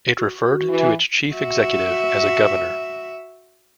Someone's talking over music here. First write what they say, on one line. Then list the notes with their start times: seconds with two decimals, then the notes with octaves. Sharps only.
It referred to its chief executive as a "governor".
0.18 F#4
0.69 E3
1.33 F#4 E5